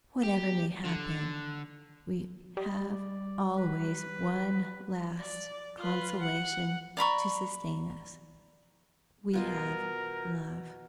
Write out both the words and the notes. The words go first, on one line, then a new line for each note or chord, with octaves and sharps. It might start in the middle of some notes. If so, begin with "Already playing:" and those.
Whatever may happen, we have always one last consolation to sustain us--we have love.
G4
D3
G3 D#5
D5
B4
D5
F4 B4
F#5
D5 A#5 B5 C#6
B2 F4 A#4 D#5